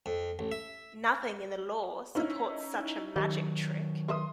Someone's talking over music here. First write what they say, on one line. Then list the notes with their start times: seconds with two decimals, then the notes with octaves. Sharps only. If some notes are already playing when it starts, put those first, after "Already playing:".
Nothing in the law supports such a magic trick.
0.06 F2
0.39 A1
0.52 E5
2.15 C#4 D#4 E4 C5
3.16 D#3 F#3 G4 D#5
4.08 A#4 B4 E5 C6 D#6